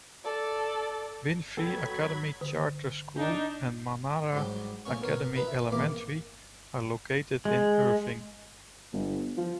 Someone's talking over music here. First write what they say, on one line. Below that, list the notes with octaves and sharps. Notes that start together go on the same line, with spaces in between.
Winfree Academy Charter School and Manara Academy Elementary are located in Irving.
A4 D5
F#3 B3 A4 G5 B5 G#6
D3
D4 D#4
G#2 F#3 G3
D2 A#2 C#4 C#6
B2 A#4 C#5
D#4 B4
E5
A1 E2 A#2 A#3 D6
G#3
G1
F3